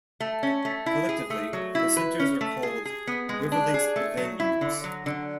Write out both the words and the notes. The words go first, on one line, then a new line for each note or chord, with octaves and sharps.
Collectively the centres are called "Riverlinks Venues".
A3
C#4
A3
E4
G#4
A3
F#3
E4
B4
C#4
A3
G#4
G#4
B3
G#3
D4
G#4
A3
F#3
E4
D3
F#3
D3